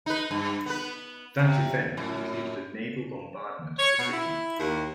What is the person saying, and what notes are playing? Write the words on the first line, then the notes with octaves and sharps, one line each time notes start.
That event included a naval bombardment of the city.
D#4 B4
G2
B3 B4
C3
F#2 A2
C#5
B2
E4
D#2